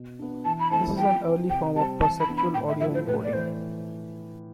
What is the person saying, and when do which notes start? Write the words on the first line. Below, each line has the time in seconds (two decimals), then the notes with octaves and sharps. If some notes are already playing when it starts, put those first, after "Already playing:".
This is an early form of perceptual audio encoding.
Already playing: B2
0.19 B3 D4
0.45 E3 A5
0.60 B5
0.71 A3 C4 E4 A5
0.97 F3 G5
1.24 C4 E4
1.50 C3 G5
1.75 G3 A5
1.79 C4
2.02 E3 A5
2.20 B5
2.28 B3 D4
2.38 B5
2.54 A2 G5
2.68 E5
2.80 F3 A3 E4 E5
2.94 C5
3.07 A2 B4
3.24 D5
3.33 E3 A3 C5